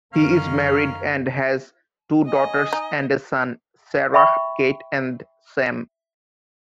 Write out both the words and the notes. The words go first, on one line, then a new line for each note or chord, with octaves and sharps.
He is married and has two daughters and a son, Sarah, Kate and Sam.
F#2 D3 D#3 C#4 A#4 F5
D#5 G#5 D#6
D#4
E5 G5 B5 C#6